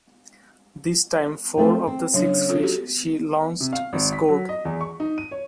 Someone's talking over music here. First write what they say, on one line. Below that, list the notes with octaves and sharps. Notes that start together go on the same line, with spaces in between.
This time, four of the six fish she launched scored.
F3 A3 C4
C4
C#3 F#3 D4
C#4 F4 A4
F#4 G4 A4
C3
F5
G#1
B6
F#3
D#5
E2
C#6
D#4
D#7
C#5